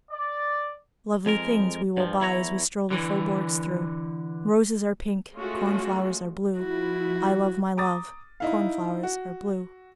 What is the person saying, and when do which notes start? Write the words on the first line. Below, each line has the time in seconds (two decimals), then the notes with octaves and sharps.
"Lovely things we will buy As we stroll the faubourgs through, Roses are pink, corn-flowers are blue, I love my love, corn-flowers are blue."
0.10 D5
1.26 F2 G#3 A#4
1.97 G2 F3
2.20 E2 E4 C#5 A#5
2.90 D3 E3
5.34 G#3 A3 C#4 F4 F#4
6.58 F3 E4 F#4
7.77 A#5 D6 D#6 A6
8.40 D#4 E4 F5
9.03 F#4